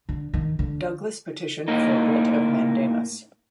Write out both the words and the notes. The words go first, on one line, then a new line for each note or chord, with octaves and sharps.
Douglas petitioned for writ of mandamus.
D3
D#3
D3
A2 A#3 D#4